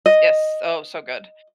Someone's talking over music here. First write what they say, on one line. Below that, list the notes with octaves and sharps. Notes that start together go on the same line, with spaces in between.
yes. Oh, so good.
D#5